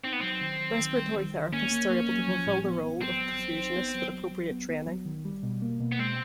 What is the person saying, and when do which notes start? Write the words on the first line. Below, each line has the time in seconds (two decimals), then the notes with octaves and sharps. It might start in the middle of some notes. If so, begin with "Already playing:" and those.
Respiratory Therapists are able to fulfill the role of Perfusionist with appropriate training.
0.05 C4 D#4
0.13 B3
0.21 F#3 C4
0.41 D#3
0.60 F#3
0.79 D#3
0.98 G3
1.16 D#3
1.34 D#3
1.53 A#3 C#4
1.71 A#3
1.90 A#3
2.09 F#3
2.28 F3
2.46 A2
2.65 B3
2.83 B3
3.02 F#3 C4
3.21 F#3
3.39 F#3
3.58 D#4
3.77 B3
3.95 F#3
4.13 F#3
4.31 F#3
4.51 B3
4.69 B3
4.87 F#3
5.06 D#3
5.25 G3
5.43 B2
5.62 A#3
5.80 B2
5.92 B3
5.99 G#3 C4